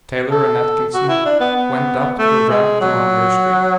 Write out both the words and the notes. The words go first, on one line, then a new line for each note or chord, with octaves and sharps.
Taylor and Atkinson went up to the Ramp thermometer screen.
A4
F#4
E4
D4
B3
B3
A3
G#3
F#3